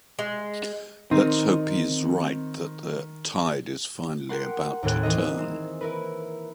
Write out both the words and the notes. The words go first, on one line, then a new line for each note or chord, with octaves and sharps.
Let’s hope he is right that the tide is finally about to turn.
G#3
D#3 C4 D#4
G4 A#4 F#5 C6
D#2 A2 C4 G#4 F#6
E3 A#3 D#4 D#5
C4
E4 A#4 B4